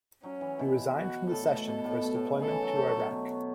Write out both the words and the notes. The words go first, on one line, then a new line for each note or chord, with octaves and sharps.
He resigned from the Session for his deployment to Iraq.
F#3 C#4
E3
B2 E4
F#4
A2 A4
A2
B2
B2
A2
B2
B2
A2
B2
C#3 A4
E3
F#3
A3
F#3
B2
B2